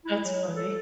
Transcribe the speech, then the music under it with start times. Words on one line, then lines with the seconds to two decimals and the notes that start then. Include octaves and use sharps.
That's funny.
0.05 E4
0.24 F#3
0.55 A4